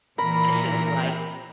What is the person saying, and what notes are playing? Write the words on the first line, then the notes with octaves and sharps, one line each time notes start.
this is, like,
A#2 E3 A#4 B5